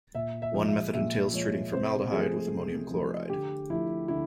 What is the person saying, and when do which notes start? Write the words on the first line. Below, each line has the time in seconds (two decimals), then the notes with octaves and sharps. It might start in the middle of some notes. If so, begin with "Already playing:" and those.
One method entails treating formaldehyde with ammonium chloride.
0.15 A#2 E5
0.42 E5
0.54 F3 G#3
0.68 E5
0.94 A#2 E5
1.33 F3 G#3 C#5
1.73 C3 C5
2.12 F3 A3 G#4
2.52 C3
2.90 F3 A3
3.30 D3 G4
3.70 F3 A3 E4
4.08 D3 E4